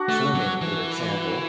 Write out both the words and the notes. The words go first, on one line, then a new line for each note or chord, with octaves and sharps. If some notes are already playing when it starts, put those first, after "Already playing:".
swimming, for example.
Already playing: D4 F#4
A3
F#3
E3